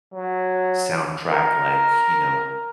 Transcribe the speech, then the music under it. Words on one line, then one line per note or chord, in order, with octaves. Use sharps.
soundtrack, like, you know
F#3
A#4